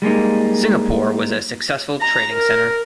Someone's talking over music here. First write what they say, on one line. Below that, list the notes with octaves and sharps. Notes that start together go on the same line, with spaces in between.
Singapore was a successful trading centre.
G3 G#3 A#3 D#4
A#5
A#4